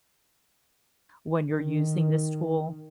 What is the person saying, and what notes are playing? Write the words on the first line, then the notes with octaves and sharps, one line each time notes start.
when you're using this tool?
D#3